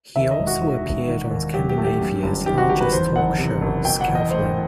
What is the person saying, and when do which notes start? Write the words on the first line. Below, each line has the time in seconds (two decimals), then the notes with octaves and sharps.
He also appeared on Scandinavia's largest talkshow "Skavlan".
0.16 D#2 E5
0.31 D#5
0.39 E1
0.47 F#4
0.62 D#3
0.86 E1
1.08 D#3
1.31 D#2
1.54 F#3 G4
1.69 G4
1.78 A3
1.84 G4
2.01 F#2
2.23 G1
2.46 D#3 G4
2.58 F#4
2.70 G1 G4
2.81 B4
2.92 E2 C5
3.16 F#1 F#5
3.38 C3
3.61 F#1
3.84 B2 G5
4.01 F#5
4.08 E2
4.15 D#5
4.30 A3 C5